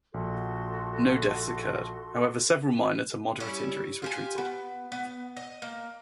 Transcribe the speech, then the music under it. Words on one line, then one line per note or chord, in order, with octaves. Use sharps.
No deaths occurred, however several minor to moderate injuries were treated.
A#1 F#4 A4 C6
G3 C#4 E4
F4 G4 G#5
B3
B3
D#5
A#3